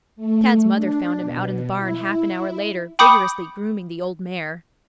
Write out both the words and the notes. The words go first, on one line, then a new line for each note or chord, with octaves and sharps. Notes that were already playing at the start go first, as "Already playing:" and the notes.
Tad's mother found him out in the barn half an hour later, vigorously grooming the old mare.
A3
D4
B2
E4
G5 B5 D6 D#6 G6 C#7